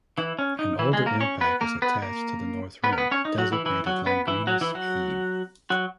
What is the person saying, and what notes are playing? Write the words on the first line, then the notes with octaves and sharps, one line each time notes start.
An older impact is attached to the north rim, designated Langrenus E.
E3 E4
C#4
D#4
E3 E4
G#3 G#4
A#3 A#4
C#4 C#5
B3 B4
A#3 A#4
B3 B4
A#3 A#4
B3 B4
A#4
B3 B4
C#4 C#5
D#4
F#3 F#4
E3 E4
E3 E4
F#3 F#4
B3 B4
E3 E4
F#3 F#4
E3 E4
F#3 F#4
F#3 F#4